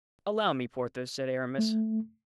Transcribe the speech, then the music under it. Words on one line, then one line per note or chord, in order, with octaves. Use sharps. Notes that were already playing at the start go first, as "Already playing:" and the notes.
"Allow me, Porthos," said Aramis.
A3